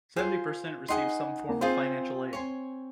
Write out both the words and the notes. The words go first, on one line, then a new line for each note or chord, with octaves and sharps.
Seventy percent received some form of financial aid.
F4 G#4 C5 F5
D#4 G#4 D#5 F#5 C6
A#3
C4 F4 G#4 C5 F5
C4 C#5 G#5 C6